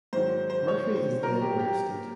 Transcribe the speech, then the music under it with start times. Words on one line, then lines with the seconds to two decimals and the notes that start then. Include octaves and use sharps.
Murphy is then arrested.
0.13 G#2 D#3 F#3 C5
0.50 C5
0.68 C#5
0.96 C5
1.23 A#2 F#3 A#4
1.41 G4
1.59 G4